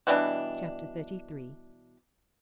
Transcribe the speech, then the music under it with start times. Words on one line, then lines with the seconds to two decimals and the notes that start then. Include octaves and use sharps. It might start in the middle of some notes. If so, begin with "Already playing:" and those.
Chapter XXXIII.
0.07 B2 E3 G3 D4